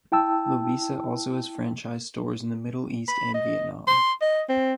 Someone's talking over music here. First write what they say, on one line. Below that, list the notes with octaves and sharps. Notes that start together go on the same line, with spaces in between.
Lovisa also has franchised stores in the Middle East and Vietnam.
E4 G5 A5 E6
B5
D#5
C6
D#5
C4